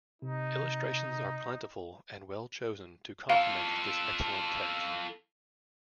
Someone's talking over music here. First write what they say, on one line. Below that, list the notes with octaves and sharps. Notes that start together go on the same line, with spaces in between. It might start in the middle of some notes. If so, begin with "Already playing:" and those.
Illustrations are plentiful and are well chosen to complement this excellent text.
C3 D#4
F4 A4 F5